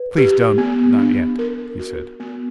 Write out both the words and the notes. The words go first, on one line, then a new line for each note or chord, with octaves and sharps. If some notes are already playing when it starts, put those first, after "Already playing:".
"Please don't--not yet," he said.
Already playing: B4
G4
B3
D4
A#4
F#4
B3